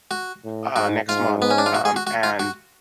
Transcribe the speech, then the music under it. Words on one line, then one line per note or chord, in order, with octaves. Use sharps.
uh, next month, um, and
F#4
A2
G#2 F#4
G#2 F4
B3
C#4
D4
F4
F#4
G#4
F#4
F#4
F4
F#4